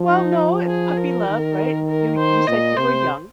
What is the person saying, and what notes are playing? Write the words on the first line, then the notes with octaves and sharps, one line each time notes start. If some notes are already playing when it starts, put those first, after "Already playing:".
Well, no. It's puppy love, right? It’s your you said you were young.
Already playing: F3
D#4
G#4
A#4
D#3
A#4
C5
A#2 D#5
C3 C5